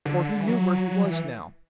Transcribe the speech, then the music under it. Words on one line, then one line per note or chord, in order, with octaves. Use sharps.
For he knew where he was now.
D3
E3
F#3
F#3
E3